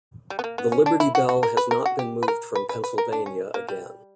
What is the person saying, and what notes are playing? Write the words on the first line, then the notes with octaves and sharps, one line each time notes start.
The Liberty Bell has not been moved from Pennsylvania again.
G3
B3
A#3
B3
C#4
D4
E4
F#4
F#4
A#4
B4
A#4
F#4
G4
B4
A#4
B4
B4
B4
A#4
D4
C#4
A#3
G3